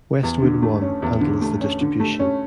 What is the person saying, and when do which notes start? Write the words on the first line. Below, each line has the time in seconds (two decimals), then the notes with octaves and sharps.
Westwood One handles the distribution.
0.23 E2
0.43 D3
0.62 A3
0.82 C#4
1.02 E2
1.21 D3
1.42 A3
1.61 C#4
1.81 D3
2.00 A3
2.19 C#4